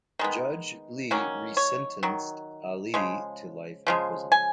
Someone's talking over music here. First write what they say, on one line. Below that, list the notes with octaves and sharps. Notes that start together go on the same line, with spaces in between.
Judge Lee resentenced Ali to life in prison.
D#3 G#3 B3
D#3 F#3 A#3 C#4
C#5
D#3 F#3
C#3 F3 G#3
C#3 F3 G#3
G#5